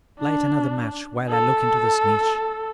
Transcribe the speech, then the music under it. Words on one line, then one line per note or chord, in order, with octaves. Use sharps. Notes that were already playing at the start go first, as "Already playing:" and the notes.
Light another match while I look into this niche.
D4
A4